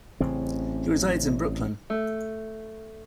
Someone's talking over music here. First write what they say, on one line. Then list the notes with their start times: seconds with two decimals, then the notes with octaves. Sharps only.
He resides in Brooklyn.
0.20 A1 C#3 C4
1.90 A3